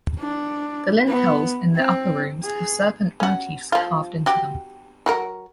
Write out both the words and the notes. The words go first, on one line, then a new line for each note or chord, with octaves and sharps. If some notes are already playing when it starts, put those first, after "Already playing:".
The lintels in the upper rooms have serpent motifs carved into them.
D4
B3
C4
G#4
C#4 F#4
F3 F4
F#4 G4
F#3 F#4 A#4